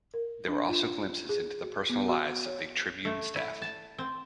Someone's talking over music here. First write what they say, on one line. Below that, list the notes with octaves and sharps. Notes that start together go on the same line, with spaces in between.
There were also glimpses into the personal lives of the "Tribune" staff.
A#4
D4
F4
G#4
F#4
B3
F#4
C#5
A3
E4
A5
C4